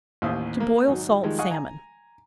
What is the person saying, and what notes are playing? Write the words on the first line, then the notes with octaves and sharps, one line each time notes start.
To Boil Salt Salmon.
A1 D#2 C5 E5 F5 D#6
A#3
G#1 F#3 D#4
D#3 F3 G3 G#3
D#5 F5 F#5 G#5 C#6 D#6
G#5 A#5